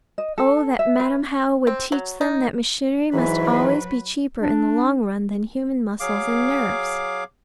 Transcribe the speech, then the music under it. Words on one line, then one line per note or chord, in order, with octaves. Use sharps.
Oh that Madam How would teach them that machinery must always be cheaper in the long run than human muscles and nerves!
D#5
A4
E5
B4
C4
F#3
D#4
G#2 E3 F#3 B4
D4
F#3 G#4 F5 D6